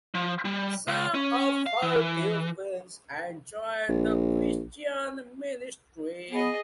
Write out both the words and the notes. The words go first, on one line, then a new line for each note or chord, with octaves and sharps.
Some of her pupils and joined the Christian ministry.
F3
G3
C#2
C#4
F5
E3
A#1
B3 G#4 D#5